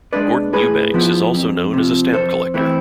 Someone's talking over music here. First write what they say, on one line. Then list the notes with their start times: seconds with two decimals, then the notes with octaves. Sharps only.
Gordon Eubanks is also known as a stamp collector.
0.13 G#3 D4 B4 D5
0.53 A2 G#4 B4
0.94 F3 B3 E4
1.34 F2
1.74 C3 F3
2.13 F2 A4 C5
2.54 E3 A3 C4 E4